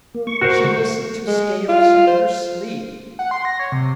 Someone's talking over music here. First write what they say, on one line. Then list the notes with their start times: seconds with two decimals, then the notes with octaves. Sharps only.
She listened to scales in her sleep.
0.15 A#3
0.27 C#6
0.41 F#4 A#4 C5
1.27 G#3
1.69 F4
2.07 C5
3.19 F#5
3.31 C6
3.45 A#6
3.60 C#5
3.72 C3